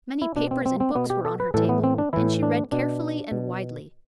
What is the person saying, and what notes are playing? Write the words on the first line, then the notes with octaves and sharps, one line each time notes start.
Many papers and books were on her table, and she read carefully and widely.
E4
B2 D4
C4
C4
C4
B2 B3
G4
A4
B4
A2 E3 A4
B3
C4
D4
A2 E3 E4
D4
B2 D4
B2